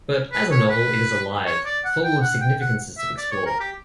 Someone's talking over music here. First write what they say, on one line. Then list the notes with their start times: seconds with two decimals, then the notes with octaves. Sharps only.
But as a novel it is alive, full of significances to explore.
0.32 B4
0.51 C#5
0.70 B4
1.46 C#5
1.65 D5
1.85 F#5
2.04 G5
2.22 F#5
2.41 G5
2.61 F#5
2.98 E5
3.18 D5
3.31 C#5
3.46 A#4
3.60 G4